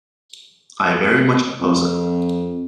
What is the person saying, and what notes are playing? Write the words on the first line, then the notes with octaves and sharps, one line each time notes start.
I very much oppose it.
F2